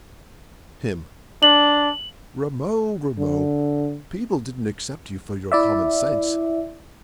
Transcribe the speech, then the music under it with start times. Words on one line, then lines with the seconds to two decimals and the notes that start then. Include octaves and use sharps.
HIM: Rameau, Rameau, people didn't accept you for your common sense!
1.43 D4 F#7
3.18 D3
5.52 E4 D5 E5